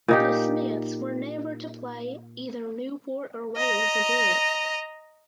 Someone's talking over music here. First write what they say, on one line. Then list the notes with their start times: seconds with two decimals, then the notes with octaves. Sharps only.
The Smiths were never to play either Newport or Wales again.
0.08 A#2 D#4 G4
3.57 D#5 A#5